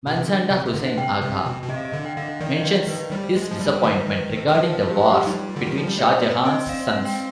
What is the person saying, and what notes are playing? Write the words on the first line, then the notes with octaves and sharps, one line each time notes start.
Manzada Husain Agha mentions his disappointment regarding the wars between Shah Jahan's sons.
B2
C3
D3
C3
C3
D3
C3 G5
C3
B2
B2
C3 D#5
F5
D#5
D3
G5
D3 F5
D#3 D5
D#5
D5
B4
G3 C5
G#3
F3
G3
D#3 C5
C5
B4
B4
D#3
F3 B4
C5
F4
G4
G4
G3 D#4
D3
D#3
F3
G3
G#3 D5
C5
B3 D5
C4 D#5
F5
F5
G5